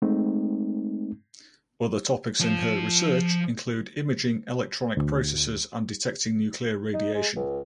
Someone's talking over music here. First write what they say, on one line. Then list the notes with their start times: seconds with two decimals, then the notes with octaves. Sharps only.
Other topics in her research include imaging electronic processes and detecting nuclear radiation.
0.02 G#3 A3 C4 D#4
2.41 F3 F4
4.97 D2
6.94 D#4
7.14 G#3
7.36 C#2